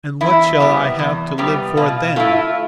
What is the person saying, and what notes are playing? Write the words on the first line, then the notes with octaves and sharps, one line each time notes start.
And what shall I have to live for then?
E2 E4
C3 G3 B3
E2
C3 G3 B3
B2 F4
A3 E4 F4